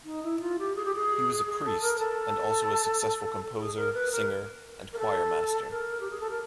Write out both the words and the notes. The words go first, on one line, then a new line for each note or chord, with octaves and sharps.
He was a priest and also a successful composer, singer and choir master.
D#4
E4
F4
G4
G#4
G4
G#4
G#4
A4
A#4
A4
G#4
A#4
B4
A#4
A#4
A4
A#4
G4
G#4
A4
A#4